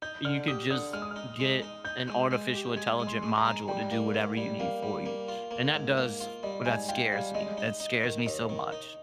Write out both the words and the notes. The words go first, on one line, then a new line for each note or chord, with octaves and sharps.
you could just get an artificial intelligent module to do whatever you need for you? And that does well, that scares me. That scares me so much.
D#4 G6
D3 F6
G4 D#6
D3 D#6
G#3 F6
D#6
F6
D#4
G#3
D#4
D#4 G6
G#3
G#3
G4
G#3 G#6
G#3
C6
G#3
A#5
G#3
G3 G5
A#3
G#2
G3
A#3 F5
G3
A#3
F4
A#3
G#2
A#3
F4
G3 D#5
G#2 G#5
F4 G5
G3 F5
G#3 D#5
D#4
D#4
D#3
D#2 D#5
D#3
D#4